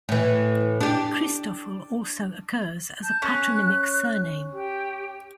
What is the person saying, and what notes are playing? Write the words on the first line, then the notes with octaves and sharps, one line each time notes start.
Christoffel also occurs as a patronymic surname.
A2 E3
D4 G4
A5 G6
C#4 F#6
G4 G5